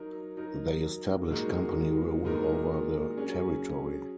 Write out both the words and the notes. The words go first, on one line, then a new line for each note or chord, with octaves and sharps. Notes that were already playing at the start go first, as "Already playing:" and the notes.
They established company rule over the territory.
Already playing: F#3 D#4 A#4
F#3 D#4 A#4
A#2 G#3 D#4 F#4 A#4
A#2 G#3 D#4 F#4 A#4
F#3 C#4 G#4